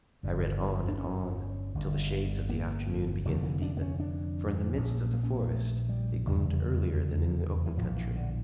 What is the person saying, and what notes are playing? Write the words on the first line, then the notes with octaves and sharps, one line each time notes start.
I read on and on, till the shades of the afternoon began to deepen; for in the midst of the forest it gloomed earlier than in the open country.
G1 G2 D3
D4
C#4
G1 G2 D3
A#3
F1 F2 D3 F3
E3
D4
A#3
C#4
D4
A#1 A#2 C#4
A#3
C#4
A#3
A3
G3
F1 E2 C#3 G3
E3
A#1 A2 F3
E3
D3